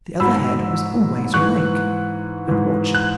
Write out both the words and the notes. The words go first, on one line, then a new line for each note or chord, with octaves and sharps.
The other head was always awake--and watching.
G#2 F#3 B5 E6
G#2 E3 C#6 F#6
G#2 E3
F#6